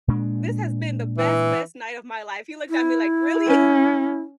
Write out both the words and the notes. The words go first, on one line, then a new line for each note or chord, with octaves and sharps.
this has been the best, best night of my life!" he looked at me like, "Really?"
A#2 G#3 D4
E3
E4
C#4